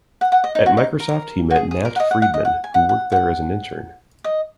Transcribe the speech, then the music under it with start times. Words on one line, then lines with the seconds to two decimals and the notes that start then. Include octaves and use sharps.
At Microsoft he met Nat Friedman, who worked there as an intern.
0.21 F#5
0.32 F#5
0.44 D#5
0.55 D#4
0.66 F#4
0.77 D#4
1.00 A#4
1.50 F#4
1.56 G#4
1.71 G#4
1.85 A#4
1.96 F#5
2.00 D#5
2.11 F#5
2.22 F#5
2.34 D#5
2.45 F#5
2.64 G#5
2.74 F#5
2.89 F#5
3.12 F#5
4.24 D#5